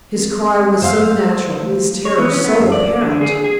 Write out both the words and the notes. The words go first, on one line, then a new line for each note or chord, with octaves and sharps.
His cry was so natural, his terror so apparent!
C4 G#4 A#4
F#3 C5 F5 E6
A3 G4
C#5
B3
C#4
B3
F#2
D5
D3
G#4
G#4